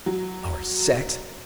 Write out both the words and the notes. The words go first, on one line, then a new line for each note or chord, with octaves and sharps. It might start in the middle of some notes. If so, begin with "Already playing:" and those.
Our sex!
F#3